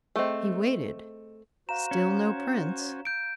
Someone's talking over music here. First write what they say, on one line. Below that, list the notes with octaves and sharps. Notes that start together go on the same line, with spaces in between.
He waited; still no prince.
A3 C4 G#4 D#5
F#4 C5 F5 A#5 E7
C#4
G6 D7